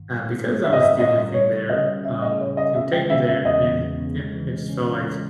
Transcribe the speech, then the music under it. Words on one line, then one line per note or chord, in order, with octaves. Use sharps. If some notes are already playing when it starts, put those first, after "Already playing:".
uh, because that was the only thing there, um, he would take me there, and it yeah, it just felt like it
Already playing: G#2 D#3
G3
G#2
G3
G#2 E5
D#5
G#2 E5
C#4 D#5
G3
G3 C#5
C#3
C#4 D#5
G3
C#4 E5
G#4 D#5
C#3 C#5
C#4 D#5
C#3 E5
G#3 G5
C#3 E5
C#3 E5
E2 D#5
E2
B3
C#3
G#3
E3
G#3
C#4
C#4
G#3